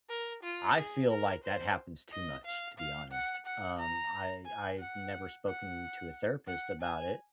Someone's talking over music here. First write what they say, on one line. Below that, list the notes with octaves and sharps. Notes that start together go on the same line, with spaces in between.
I feel like that happens too much, to be honest, um, I I've never spoken to a therapist about it
A#4
F4
G#4
A#4
C5
D#5
F5
F5
F#5
F#5
A#5
G#5
F#5
F#5
F#5
G#5